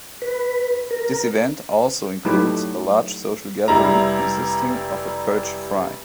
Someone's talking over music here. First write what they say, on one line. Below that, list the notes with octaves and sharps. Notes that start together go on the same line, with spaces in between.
This event also includes a large social gathering consisting of a "perch fry".
B4
A#4
F#3 A3 D#4 E4 G4 B4
F1 G3 E4 A#5